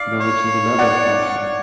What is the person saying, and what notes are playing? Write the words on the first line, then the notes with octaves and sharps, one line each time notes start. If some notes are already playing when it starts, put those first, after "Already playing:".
you know, which is another passion
Already playing: D5 F5
C#5
D5 F#5
C#5